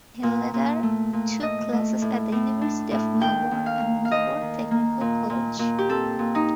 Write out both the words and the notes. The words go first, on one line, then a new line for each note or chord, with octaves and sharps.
He later took classes at the University of Melbourne and Melbourne Technical College.
A#2
A#2
A3
A#2
A3 D#5
A3
A2
A2
D4
A2
D#2 G5
D#2
F5
A#3
F5
D#2 D#5
D#3
A#3
A#2
A#2
A#2
G4
C4 A4
A#2
D#4